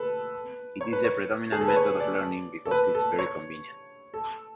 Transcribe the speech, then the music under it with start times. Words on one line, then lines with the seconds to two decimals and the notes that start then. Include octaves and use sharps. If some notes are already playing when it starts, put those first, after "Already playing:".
It is the predominant method of learning, because it is very convenient.
Already playing: A4 B4
0.81 C#5
0.93 B4
1.04 C#5
1.52 G#4
1.61 A4
1.68 B4
1.76 C#5
2.00 D5
2.65 A4
2.71 B4
2.95 A4
3.19 C#5
4.14 A4